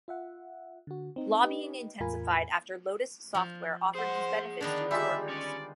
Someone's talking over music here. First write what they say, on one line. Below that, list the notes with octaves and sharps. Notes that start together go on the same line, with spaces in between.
Lobbying intensified after Lotus software offered these benefits to its workers.
F4 E5 F#5
D3 F#4
C4 D#4
D#4 G4 B4 D#5
E2 A2 F4 A#4 G#5 B5
F3
G#4 C5 F#5
D3 D#3 B3 D4
G3 G#3 F4 G4 E5
C#4 D5